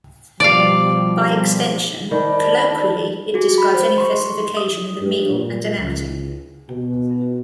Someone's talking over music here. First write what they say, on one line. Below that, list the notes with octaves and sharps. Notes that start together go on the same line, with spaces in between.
By extension, colloquially, it describes any festive occasion with a meal and an outing.
B2 F3 G3 D5 F5
D#3 C5 D5 A5 B5
F#4 G#4
B5
C5
C6 C#6
D#6
G2
A#2
C#2
B2